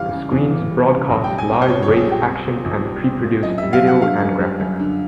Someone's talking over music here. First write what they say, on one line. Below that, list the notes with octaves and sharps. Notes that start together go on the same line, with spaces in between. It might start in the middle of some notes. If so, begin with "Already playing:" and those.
The screens broadcast live race action and pre-produced video and graphics.
Already playing: E2 E3 G3 F5
C#3
E2
E3
G3
C#3
B1
G3 G5
G#5
C4 G5
C5
A#2 C#5
C#5
B1
G#4
G3 G4
C4
A#2
B1
G3
C4
A#2
F#2 D#5
G3 E5
F5
F#2
F#5
D3 F5
F#2
G3
F#2
D3